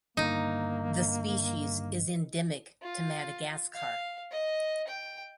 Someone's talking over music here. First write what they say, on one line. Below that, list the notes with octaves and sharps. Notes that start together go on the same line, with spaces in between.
The species is endemic to Madagascar.
G2 D3 D#3 A#3 D#4
F4
F5
D#5
G5